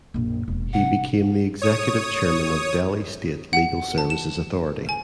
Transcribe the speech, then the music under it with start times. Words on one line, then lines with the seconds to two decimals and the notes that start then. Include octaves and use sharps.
He became the Executive Chairman of Delhi State Legal Services Authority.
0.14 A#1 F#2
0.48 E1 B2
0.73 C3 F#5
1.62 C#5 D#6
3.53 F#5
3.98 A5
4.10 E7
4.89 G#5